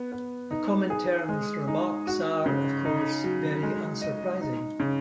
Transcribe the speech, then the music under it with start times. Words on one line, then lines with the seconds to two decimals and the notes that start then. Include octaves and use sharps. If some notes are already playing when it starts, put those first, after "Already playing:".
The Comintern's remarks are, of course, very unsurprising.
Already playing: B3
0.12 B3
0.51 D#4
0.90 G#4
1.29 G#3
1.68 D#4
2.07 F#4
2.46 C#3
2.85 D#4
3.24 F#3
3.63 G#3
4.02 D#5
4.41 D#4
4.80 C#3